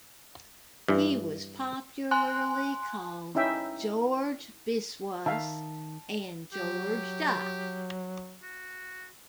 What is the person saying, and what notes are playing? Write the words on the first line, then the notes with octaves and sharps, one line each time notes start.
He was popularly called "George Biswas" and "George Da".
G2 E3
G#5 C6 F#6
C#4 D#4 E4 E5 G5
D#3 E5 F5 A5
F#3 G4
F#4